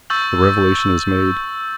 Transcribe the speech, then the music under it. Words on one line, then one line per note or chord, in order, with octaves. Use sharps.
The revelation is made.
C#6 E6 G6 A6 F#7